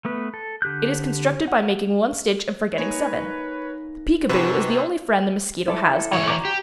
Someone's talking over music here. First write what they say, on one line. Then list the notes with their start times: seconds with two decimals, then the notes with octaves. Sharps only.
It is constructed by making one stitch and forgetting seven. The Peekaboo is the only friend the mosquito has on earth.
0.05 A3 B3 B4
0.34 A4
0.62 D3 G4 F#6 G6
1.48 F#5
2.78 A#3 D#4 B4 C#5 G#5
4.29 G#2 C3 F#4 B4
5.68 E4 A4 D6
6.13 E3 C#5
6.28 F#4 A#5 D6
6.45 G4